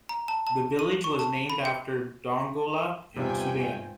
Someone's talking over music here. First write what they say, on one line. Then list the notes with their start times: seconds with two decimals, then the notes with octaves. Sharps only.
The village was named after Dongola, in Sudan.
0.09 A#5
0.28 A5
0.47 A5
0.79 D#7
1.04 C#6
1.19 A5
1.50 B5
1.65 G5
3.16 E2 G2 C3 C4 D#4 F4 G5 G#5